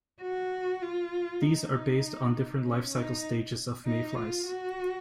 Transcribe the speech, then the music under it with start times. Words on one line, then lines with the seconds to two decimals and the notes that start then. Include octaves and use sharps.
These are based on different life-cycle stages of mayflies.
0.21 F#4
0.82 F4
1.42 D#4
2.65 C#4
2.94 D#4
3.86 D#4
4.16 F4
4.47 F#4